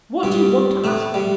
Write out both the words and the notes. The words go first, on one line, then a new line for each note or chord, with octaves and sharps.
"What do you want to ask me?"
G2 G3
A2 A3
G3